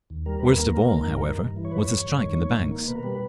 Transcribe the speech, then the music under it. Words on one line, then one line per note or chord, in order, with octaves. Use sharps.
Worst of all, however, was the strike in the banks.
D#2
G3 A#4
D#2 B4
A#4
A#3
A#3
D#3
G2
G2
G2
E3
C#5
G2 B4
C#5
G2
G2
D#3
G#2
D#3
A#3
B2 B4
A#4
G3 B4